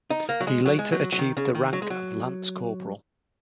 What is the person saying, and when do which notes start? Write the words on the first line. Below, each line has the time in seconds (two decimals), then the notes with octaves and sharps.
He later achieved the rank of lance corporal.
0.10 D#4
0.29 A#3
0.41 F#3
0.47 G#3
0.65 F#3
0.79 G#3
0.92 F#3
1.12 F#3
1.19 D#3
1.37 C#3
1.55 D#3
1.73 F#3
1.82 G#3
1.90 F#3